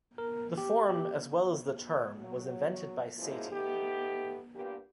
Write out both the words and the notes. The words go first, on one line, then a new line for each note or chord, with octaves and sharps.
The form as well as the term was invented by Satie.
A#4
G4
G4
F#3
F#2 F3 G#3 A#3 E4 G#4
A3 B3 D#4 G4
G2 A#2 A#3 B3 G4